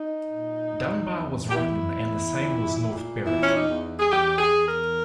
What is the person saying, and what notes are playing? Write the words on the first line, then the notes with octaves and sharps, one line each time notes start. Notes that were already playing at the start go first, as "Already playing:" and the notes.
Dunbar was Rotten and the same was North Berwick.
Already playing: D#4
A#2
E2
E2
G4
E2 E4
E2
A#2
A#2
E2 E4
C#4
D#4
E2
G#4
E2 G4
G#4
E2
A#4